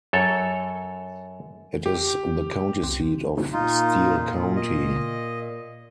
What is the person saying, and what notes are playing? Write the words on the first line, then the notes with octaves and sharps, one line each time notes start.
It is the county seat of Steele County.
F#2 A4 C#5
G4
C2
A#2 D#4 F4
D#5